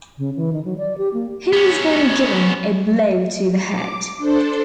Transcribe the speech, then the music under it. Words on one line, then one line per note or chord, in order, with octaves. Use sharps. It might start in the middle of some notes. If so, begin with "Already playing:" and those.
He was then given a blow to the head.
C#3
E3
D#3
F#3
D5
G4
A#3
B3 C#4
D6
D4 A4 C5